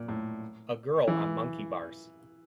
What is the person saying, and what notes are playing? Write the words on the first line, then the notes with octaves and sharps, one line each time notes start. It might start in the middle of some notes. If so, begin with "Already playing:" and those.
A girl on monkey bars.
Already playing: A#2
A2
E3